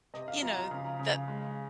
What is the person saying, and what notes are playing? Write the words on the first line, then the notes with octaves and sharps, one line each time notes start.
you know, that
C3 D#5
F5
F3 A#5
A#5
C#3 F5
C#3
G#3